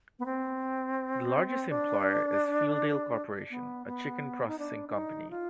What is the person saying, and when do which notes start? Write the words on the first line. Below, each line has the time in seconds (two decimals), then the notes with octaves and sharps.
The largest employer is Fieldale Corporation, a chicken processing company.
0.19 B3
0.26 C4
1.70 D4
3.50 B3
3.87 B3
4.47 D#4
4.59 D4
4.89 D4
4.95 D#4
5.30 F4